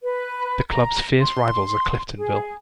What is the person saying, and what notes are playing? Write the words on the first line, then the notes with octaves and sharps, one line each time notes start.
The club's fierce rivals are Cliftonville.
B4
A#5
C6
G#4